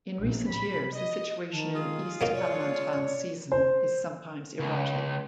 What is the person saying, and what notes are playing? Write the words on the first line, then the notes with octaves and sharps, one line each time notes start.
In recent years, the situation in East Kalimantan season is sometimes erratic.
A#1
B5
D#5
D#3 A5
G#3 F4 D#6
F#3 A#3 D#4
C#5 D5
C5
C#2